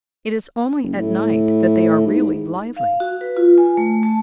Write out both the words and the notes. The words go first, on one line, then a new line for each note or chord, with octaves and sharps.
It is only at night that they are really lively.
F#1
A2
G#2
F5
F#4
B4
F4
G#5
A3
A5